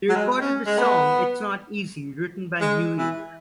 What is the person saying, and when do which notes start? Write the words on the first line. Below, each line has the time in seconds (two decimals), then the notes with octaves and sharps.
They recorded the song "It's Not Easy" written by Muir.
0.09 F#3
0.16 G#3
0.41 C#4
0.67 G#3
0.78 B3
2.61 G#3
2.98 E3